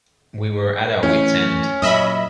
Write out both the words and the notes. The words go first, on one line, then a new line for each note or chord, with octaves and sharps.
We were at our wits' end.
A2 E3 C#4
F#2 A#2 D#5 E5 B5